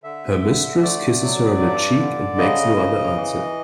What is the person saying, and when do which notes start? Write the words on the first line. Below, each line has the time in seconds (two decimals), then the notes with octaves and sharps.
Her mistress kisses her on the cheek and makes no other answer.
0.03 D3 E5
0.42 D3
0.82 A3 D5
1.21 F#3
1.60 G2
1.99 D3
2.38 C#3 D#5
2.77 C#3
3.16 E3